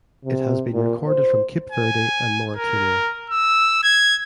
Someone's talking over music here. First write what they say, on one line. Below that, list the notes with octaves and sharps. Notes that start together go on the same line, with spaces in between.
It has been recorded from Cape Verde and Mauritania.
C3
A#2
C5
G#5
A#4
E6
G#6